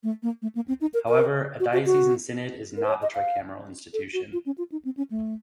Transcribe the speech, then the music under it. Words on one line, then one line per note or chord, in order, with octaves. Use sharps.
However, a Diocesan Synod is not a tricameral institution.
A3
A#3
A3
A#3
C4
D#4
A#4
A#4
F#4
F#4
F#4
A#4
C5
C#5
D#5
F5
A4
F#4
F4
C#4
F4
D#4
C4
C#4
A3